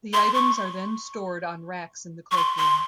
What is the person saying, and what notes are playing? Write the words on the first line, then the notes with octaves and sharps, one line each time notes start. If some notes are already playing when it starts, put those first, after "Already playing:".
The items are then stored on racks in the cloak room.
C6
C#6
C#6
C6
C6